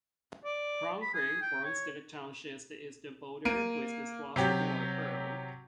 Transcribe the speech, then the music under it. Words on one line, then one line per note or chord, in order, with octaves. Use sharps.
Crum Creek forms the township's eastern border with Swarthmore Borough.
D5
B5
G#4
G5
C#5
A#3 D7 D#7
C3 F#3 G4